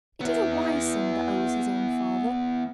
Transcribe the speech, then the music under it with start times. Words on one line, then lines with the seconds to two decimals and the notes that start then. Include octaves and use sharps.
It is a wise son that owes his own father.
0.21 B3 E4